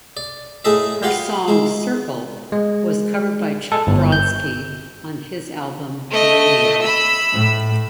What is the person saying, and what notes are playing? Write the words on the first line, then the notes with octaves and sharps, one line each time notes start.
Her song "Circle" was covered by Chuck Brodsky on his album "Radio".
D5
A2 E4 G#4 A4 D#5 E5
F4 G4 B4 F5 F#5
G#3 E4
G#3
A4
G1
G6
A3 D#5
B5 E6
A2